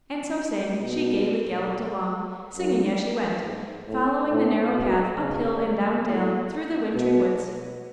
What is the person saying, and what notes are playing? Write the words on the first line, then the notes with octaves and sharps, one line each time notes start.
And, so saying, she gayly galloped along, singing as she went, following the narrow path up hill and down dale through the wintry woods.
B2
F#2
G#2
A2
A2
B2
C#3
A2
B2